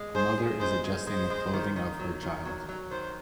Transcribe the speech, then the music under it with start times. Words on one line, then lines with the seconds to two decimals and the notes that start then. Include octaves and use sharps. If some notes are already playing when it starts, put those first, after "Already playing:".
A mother is adjusting the clothing of her child.
Already playing: G#3
0.15 G#4 C5
0.38 G#4
0.61 G#3 C5
0.84 G#3
1.07 G#3 C5
1.30 G#3
1.54 D#3
1.76 D#3
1.99 F#3
2.23 D#3
2.45 F#3
2.69 F#3
2.91 D#3 C5